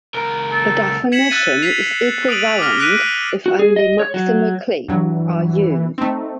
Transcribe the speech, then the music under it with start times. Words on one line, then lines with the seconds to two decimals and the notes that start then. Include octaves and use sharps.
The definition is equivalent if only maximal cliques are used.
0.15 C#2 A#4
0.51 A4
1.12 G#6 B6 C#7 E7 F#7
1.30 E6 F#6 A6 D#7 E7
1.62 B6 C7 F7
2.28 D#6 D7 D#7 F7 F#7
2.59 D6 D#6 F6 A#6
2.78 D#6 F#6 B6 D7 D#7
3.46 F#4
3.59 G#4
3.76 D#5
3.99 C#5
4.14 F#3
4.88 G2 E3 F#3
5.98 A3 C4 D#4